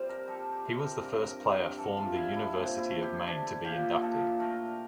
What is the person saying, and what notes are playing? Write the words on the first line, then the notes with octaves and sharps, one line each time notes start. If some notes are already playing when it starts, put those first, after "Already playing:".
He was the first player form the University of Maine to be inducted.
Already playing: C3 G3 C5
A#4
G3 A4
G4
C3
A#4
G2 A#4
A#4
G2
A#4
E3 A4
F4
G3 E4
E4
A#2 C4
E4
A3
G4
A3 D4
E4
A#2 G4
A#2 A4
A3 A#4